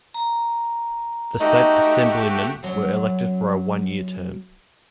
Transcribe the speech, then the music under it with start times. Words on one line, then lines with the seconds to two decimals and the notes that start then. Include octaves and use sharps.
The State Assemblymen were elected for a one-year term.
0.14 A#5
1.40 A3 D#4 F#4 G4
2.63 F#2 F#3